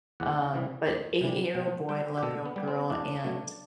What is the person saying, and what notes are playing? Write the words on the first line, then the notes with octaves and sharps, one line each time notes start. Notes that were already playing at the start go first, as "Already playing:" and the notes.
um, but eight-year-old boy and eleven-year-old girl and,
E2 F#5
C3 E3 G3
E2
C3 E3 G3
B2 G5
G3 G5
G4
B2 A4
B3
G3
C4
E2 D4
B2 F#3 A3